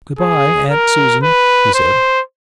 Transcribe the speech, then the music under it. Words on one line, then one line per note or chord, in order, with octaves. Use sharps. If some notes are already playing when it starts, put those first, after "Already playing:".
"Good-bye, Aunt Susan," he said.
G#4
A#4
B4
C5